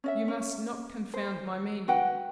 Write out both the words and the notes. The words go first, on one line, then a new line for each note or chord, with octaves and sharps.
You must not confound my meaning.
C#4 D#5 E5
C#4
C5
F#4 B4 F#5 G5